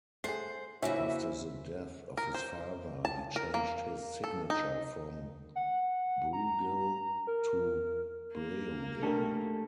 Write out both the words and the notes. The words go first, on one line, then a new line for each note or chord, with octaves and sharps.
After the death of his father he changed his signature from 'Brueghel' to 'Breughel'.
A3 G#4 C5 F#5 C7
C#3 F3 A#3 C#4 E4 F#4 C5 E5
A#4
C5
A5
A#4
A#3
A4
D#4
F#5
A#5
A#4
A#3
A3 D4 G4 A4 A#4